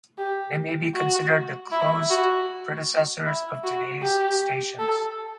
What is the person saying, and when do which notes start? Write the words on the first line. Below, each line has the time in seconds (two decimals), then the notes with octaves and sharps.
They may be considered the closed predecessors of today's stations.
0.18 G4
0.95 F#4
1.72 E4
2.10 F#4
3.26 E4
3.64 F#4
4.02 G4
4.79 A4